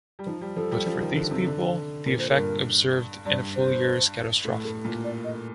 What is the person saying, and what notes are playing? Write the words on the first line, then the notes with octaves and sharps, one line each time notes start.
But, for these people, the effect observed in a full year is catastrophic.
G3
F3 D#4
G3
F3 A4
G3
F3
D#3
D3
C3
D3
A#2 A#4
C5
A#4
G2
G2 D5
C5
A2
A2
A#2
D5
D#5